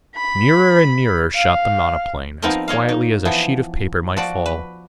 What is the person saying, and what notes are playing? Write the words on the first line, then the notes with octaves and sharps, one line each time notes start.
Nearer and nearer shot the monoplane, as quietly as a sheet of paper might fall.
B5
F5
F3 B3 C4 D#4 A#4 D#5
A#3 C#5 D#5 F5
D#4
E3 F3 B3
F3 F#4 D5
B4